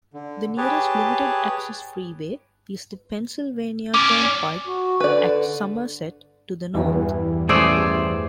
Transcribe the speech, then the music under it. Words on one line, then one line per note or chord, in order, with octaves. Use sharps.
The nearest limited-access freeway is the Pennsylvania Turnpike at Somerset, to the north.
D3
G4 G#4 B4 C#5 A5
C#4 D5 D6
F#4
D3 B4 D5
E2 G2 E3
A1 A3 G#4 A4 C5 D5